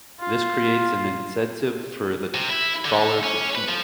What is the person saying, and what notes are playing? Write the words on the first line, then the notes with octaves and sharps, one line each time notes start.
This creates an incentive for the trawler to cheat.
F4
C3
E4
D3
C#4
B4
F3